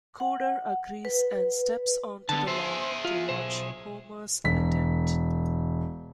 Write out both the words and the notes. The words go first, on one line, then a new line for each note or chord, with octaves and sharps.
Cooder agrees and steps onto the lawn to watch Homer's attempt.
F#5
B4
D3 B3 A5
G#4 C5 E5
F4
B1 C5
E1 B6